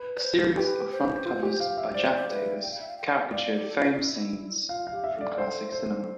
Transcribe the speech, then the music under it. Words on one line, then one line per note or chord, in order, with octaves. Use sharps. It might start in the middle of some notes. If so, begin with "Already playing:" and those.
A series of front covers by Jack Davis caricatured famed scenes from classic cinema.
Already playing: B4
D5
C5
G4 B4
C5
F4
G4
F5
E5
C5 D5
C5
B4
G5
F5
E5
F5
G5
D5 F5
A4
G4
A4
F4
F4
E4
F4 F5
F5
G4
E5
A4
D5
C5
C5